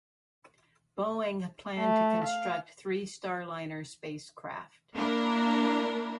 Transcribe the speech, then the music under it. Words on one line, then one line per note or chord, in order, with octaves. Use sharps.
Boeing planned to construct three Starliner spacecraft.
A3
F5
A#3 D4 E4 A#4